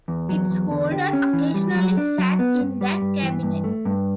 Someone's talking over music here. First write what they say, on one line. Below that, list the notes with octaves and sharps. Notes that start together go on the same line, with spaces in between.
Its holder occasionally sat in the cabinet.
E2
F#3
E2
D3
G4
C#4
E3
G3
F#3
D4
F#3
B3
G2
G3
G2
E3
G2
A3
G2